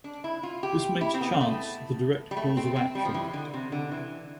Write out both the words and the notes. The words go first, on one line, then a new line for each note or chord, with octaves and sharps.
This makes chance the direct cause of action.
D4
E4
F4
G4
E4
C4
B3
A3
G3
A3
C4
C4
G3
F3
E3
D3
C3
D3
E3